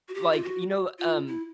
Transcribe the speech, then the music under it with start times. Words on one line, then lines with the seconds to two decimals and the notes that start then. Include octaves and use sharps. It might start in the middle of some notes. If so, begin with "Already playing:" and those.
like, you know, um,
0.09 F#4
0.14 G4
0.32 F4
0.43 F#4
0.99 F4
1.27 E4